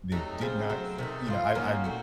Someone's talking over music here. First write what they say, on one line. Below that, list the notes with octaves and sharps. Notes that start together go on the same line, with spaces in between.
that did not you know, I I
C3 F#3 A3 D#4
C#3 F3 C4
F#3 A3 C4
C3 D#3 A3
A2 F3 C4 F4
D#3 A#3 C#4 F#4
A#2 A3 C4 F#4